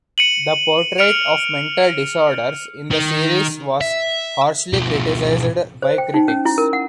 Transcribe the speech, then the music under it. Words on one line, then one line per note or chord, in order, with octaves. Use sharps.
The portrait of mental disorders in the series was harshly criticised by critics.
C#7 D#7 F#7
F6 C#7 D7 F7
D#3
E5
B2 F3
C5
G5
D#4
C#4
E4
A#4
F#5